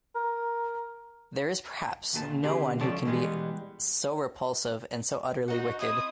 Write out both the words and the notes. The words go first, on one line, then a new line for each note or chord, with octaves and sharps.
There is perhaps no one who can be so repulsive and so utterly wicked.
A#4
D#2 A#2 G#4 A5
D3 C4 G4 G#4
C#2 F3 C#4 A4 D5 A5
B2 E3 G3 G#3 B3
D#4 F#4 F#5
C4 E4 D#5 D#6